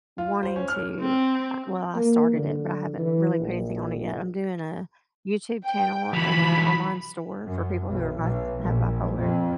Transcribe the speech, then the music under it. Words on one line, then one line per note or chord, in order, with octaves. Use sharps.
wanting to, uh well, I started it, but I haven't really put anything on it yet, I'm doing a YouTube channel and a online store for people who are bi have bipolar.
F4
C5
C#4
F6
C4
A#3
D3
E3
A#1
G5
E3 F#3 B5
F#2
B1
B1
A#1
F2